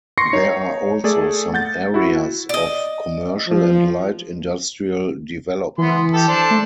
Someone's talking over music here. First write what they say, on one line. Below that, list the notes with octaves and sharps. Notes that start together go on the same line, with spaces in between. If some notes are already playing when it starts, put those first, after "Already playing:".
There are also some areas of commercial and light industrial developments.
C6 C#6 A#6 C7 C#7
D#4 C#5
A3 G#4 A4 D5
F#5 G6 A6
E4 F#4
D5 D#5
F3
E3 B3 C6
G4 A4
D4 A4 C5
A3